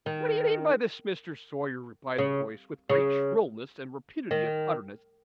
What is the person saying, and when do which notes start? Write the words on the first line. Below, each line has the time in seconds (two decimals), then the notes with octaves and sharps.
'What do you mean by this, Mr. Sawyer?' replied the voice, with great shrillness and rapidity of utterance.
0.06 D#3
2.18 C#3
2.89 C#3
4.31 D#3